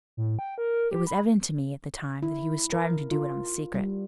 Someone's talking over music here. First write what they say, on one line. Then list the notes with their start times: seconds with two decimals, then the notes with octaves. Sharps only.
It was evident to me at the time that he was striving to do it on the secret.
0.17 A2
0.39 G5
0.58 A#4
0.91 G4
1.07 B5
2.23 E4
2.72 A#4
3.11 F4
3.74 G3